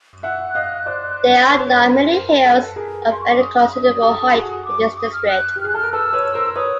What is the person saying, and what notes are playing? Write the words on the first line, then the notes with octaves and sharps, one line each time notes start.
There are not many hills of any considerable height in this district.
E5 F#5 F#6
D#5 F5
C5 D5
B4 C#5
B4
A#4 C5
A#4 C5
A4 B4
G#4 A#4
C6
C#6
D6
D#6
G4 A4
F#4 G#4
D6
C#6
D#6
F6
F#6
G4
F6
G#4 F#6
A4 F6
A#4
A4 B4 E6
B4 C#5
A#4 C5
B4 C#5 D#6